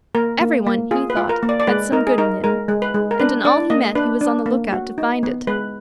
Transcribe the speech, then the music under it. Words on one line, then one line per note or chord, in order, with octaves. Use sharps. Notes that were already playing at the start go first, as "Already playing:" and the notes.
Everyone, he thought, had some good in him, and in all he met he was on the lookout to find it.
A#3 A#4
A#3
A#3
F4 G#4
B4
F4
A#4
A#3
D5
D5
G#3 B4
D#4 A#4
G#4
D#4 A#4
G#3 A#4
G#3
B4
G#3
A#4
D4 B4
D4 D5
A#3 D#5
D4 B4
D4
A#3
F#4
D#4
B3
G#3 B4